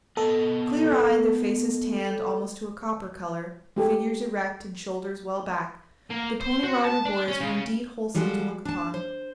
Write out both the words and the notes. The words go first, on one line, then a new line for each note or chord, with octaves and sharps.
Clear-eyed, their faces tanned almost to a copper color, figures erect and shoulders well back, the Pony Rider Boys were indeed wholesome to look upon.
B3 A4 D#5 A5
G#3 G4 A4
A#3
C5
F#4
A5
D4
C#4
C#3
F3 G3 G#3 F#4 A4
D4 A5
C5